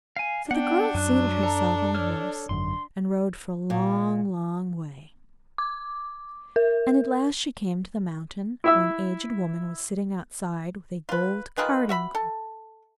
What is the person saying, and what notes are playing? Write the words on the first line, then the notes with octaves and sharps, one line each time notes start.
So the girl seated herself on the horse, and rode for a long, long way, and at last she came to the mountain, where an aged woman was sitting outside with a gold carding-comb.
F5 G#5
B3 D4 F#5 G5
F#2 F#3 F#6
A4 A5 A#5
A4 C#5 F6
G#1 F#2 D3 C6
A#2
D6
A#4
E4 E5 E6
F4 B4
D#3 F4 G#4 B4
F#4 E5 B5
A4